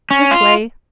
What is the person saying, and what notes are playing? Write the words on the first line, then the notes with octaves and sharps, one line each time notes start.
This way.
C#4
F4